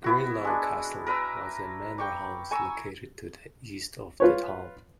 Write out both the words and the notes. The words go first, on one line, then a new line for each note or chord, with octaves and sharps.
Greenlaw Castle was a manor house located to the east of the town.
B3 E4 F#4
G#3 D4
A#4 B4 A#5 E6
G5 C#6 D6
G#5 A#5 C#6 E6
F4 B4 C#5